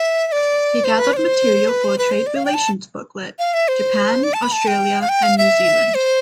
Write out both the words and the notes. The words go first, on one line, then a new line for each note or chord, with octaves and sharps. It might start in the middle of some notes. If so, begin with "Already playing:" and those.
He gathered material for a trade relations booklet, "Japan, Australia and New Zealand".
Already playing: E5
E5
D5
C5
B4
D5
C5
B4
C5
B4
C5
D5
F5
G5
A5
F5
E5
C5
D5
A5
B5
A5
G5
F5
G5
F5
E5
C5